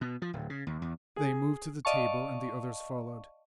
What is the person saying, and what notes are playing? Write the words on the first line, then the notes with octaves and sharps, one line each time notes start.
They moved to the table and the others followed.
B2
F3
D1
C#3
D#2
E2
G#4
D5 D#5 F5 A5 C#6